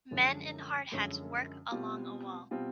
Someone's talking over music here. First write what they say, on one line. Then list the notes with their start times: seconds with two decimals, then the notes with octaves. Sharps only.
Men in hard hats work along a wall.
0.11 F#2 D3 F3 G#3 C#4
0.92 F#2 D3 F3 G#3 C#4
1.72 B2 G3 C4 F4
2.51 B2 G3 C4 F4